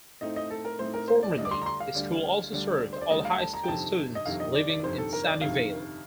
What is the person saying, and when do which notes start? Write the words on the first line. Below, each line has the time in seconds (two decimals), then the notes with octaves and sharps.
Formerly, the school also served all high school students living in Sunnyvale.
0.21 A2 A3 C4 D#4 D#5
0.36 D#5
0.50 A4
0.65 A#4
0.79 A2 A3 C4 D#4 C5
0.94 A#4
1.08 C5
1.23 D5
1.37 D2 D3 G3 D4 D#5
1.45 D6
1.51 C6
1.62 A#5
1.66 C6
1.80 F5
1.94 D2 D3 G3 D4
2.52 D2 D3 G3 D4
2.93 C5
3.01 D5
3.10 D2 D3 G3 D4 D#5
3.25 F5
3.39 A5
3.54 A#5
3.64 G5
3.68 G1 F2 C3 D#3 A5
4.15 D#5
4.26 G1 F2 C3 D#3 F5
4.40 D#5
4.54 D5
4.69 D5
4.83 G1 F2 C3 D#3 C5
4.98 A4
5.13 A#4
5.26 D5
5.41 G1 F2 C3 D#3 F5